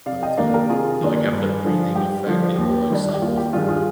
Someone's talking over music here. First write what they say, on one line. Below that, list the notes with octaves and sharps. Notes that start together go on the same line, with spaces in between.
uh, to like have the breathing effect, it will like cycle through,
C3 D5 F5
D#5 G5
D#3 A#3 D4 D5 F5
G4 A#4
C3 F4 G#4
D#3 A#3 D4
G2
D3 F3
G2 G4
D3 F3
D#2
D#3 G3 D4
G4
D#2 F4
G4
D#3 G3 D4 F4 G#4
F4 G#4